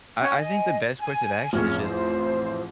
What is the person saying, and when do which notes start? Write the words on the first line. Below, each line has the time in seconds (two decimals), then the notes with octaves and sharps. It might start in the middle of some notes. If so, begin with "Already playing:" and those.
I I think the best course of action is just
0.21 C#4 C#6
0.39 D#5 G#5
1.00 G#5
1.53 A1 F2 C#4 G#4 F6
1.81 C5